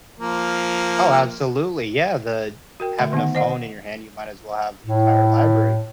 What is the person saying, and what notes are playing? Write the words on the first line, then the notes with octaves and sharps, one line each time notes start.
Oh, absolutely, yeah, the having a phone in your hand, you might as well have the entire library,
F3 A#3
F#4 A#4 G5
D3 A3 E5 B5
D#3 B3 D#4 F#5
C5 D#5 F#5
A2